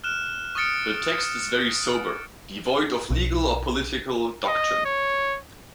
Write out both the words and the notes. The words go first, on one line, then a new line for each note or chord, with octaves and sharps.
The text is very sober, devoid of legal or political doctrine.
F6 F#6 E7
C#6 D#6 F6 A6 C#7 D7
B1
D#5
C#5